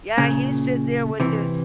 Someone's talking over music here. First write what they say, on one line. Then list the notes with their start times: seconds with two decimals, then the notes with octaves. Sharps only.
yeah, he's sit there with his
0.18 A#2 C#3
1.20 C3 E3